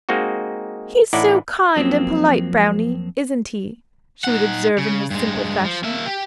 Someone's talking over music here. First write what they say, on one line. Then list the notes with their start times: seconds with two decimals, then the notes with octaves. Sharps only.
'He's so kind and polite, Brownie, isn't he?' she would observe in her simple fashion.
0.09 G#3 A#3 C4 D#4 F#4
1.13 A1 A2 D#4 E4 D5 F#5
1.76 F2 F3 F#3 A#3 C4
4.24 D#4 F#5
4.78 C#3
5.10 G2 G#3
5.64 F3
5.84 A#3 E5
6.06 G4